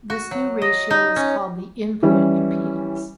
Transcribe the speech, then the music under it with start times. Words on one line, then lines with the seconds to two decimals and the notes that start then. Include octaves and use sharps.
This new ratio is called the input impedance.
0.10 F#4
0.31 F#3
0.62 D#5
0.91 D#4
1.16 C#4
2.03 E3 G3 C#4